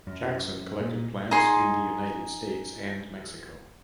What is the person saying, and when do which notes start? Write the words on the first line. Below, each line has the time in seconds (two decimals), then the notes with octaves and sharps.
Jackson collected plants in the United States and Mexico.
0.07 F#2
0.80 A#2
1.31 D#4 G#4 C6